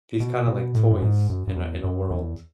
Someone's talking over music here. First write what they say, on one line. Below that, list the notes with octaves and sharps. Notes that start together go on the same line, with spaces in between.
these kinda, like, toys in a in a world,
B2
B2
A2
F#2
G#2
F#2
F#2
E2
F#2
E2